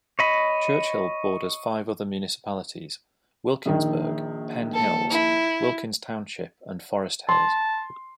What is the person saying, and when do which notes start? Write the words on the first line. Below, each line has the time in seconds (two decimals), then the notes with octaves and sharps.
Churchill borders five other municipalities: Wilkinsburg, Penn Hills, Wilkins Township and Forest Hills.
0.19 C#5 D#5 B5
3.65 A#1 A#2 D#3
4.74 A4
5.10 E4
7.29 A5 C6